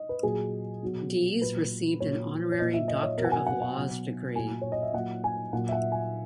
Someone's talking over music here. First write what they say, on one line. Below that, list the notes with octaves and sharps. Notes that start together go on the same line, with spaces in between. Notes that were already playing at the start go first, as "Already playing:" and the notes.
Dees received an honorary Doctor of Laws degree.
Already playing: D#5
B4
A#2 F#3 G#4
B2 F#3
A#2 F#3 B4
A#2 F#3 C#5
C#5
A#2 F#3 D#5
E5
D#5
C#5
B2 F#3 A#4
F#5
G#5
F#5
F#5
B2 F#3
A#2 F#3 G#5
C#5
D#5
E5
A#2 F#3 F#5
G#5
A#2 F#3 F#5
E5
F#5
G#5